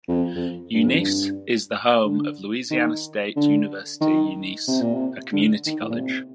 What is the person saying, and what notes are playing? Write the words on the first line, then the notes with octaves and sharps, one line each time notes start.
Eunice is the home of Louisiana State University Eunice, a community college.
F2
F2
G2
F2
G2
D3
D#3
D3
D#3
C3
A#2
C3
D3
D#3
A2
A#2
C3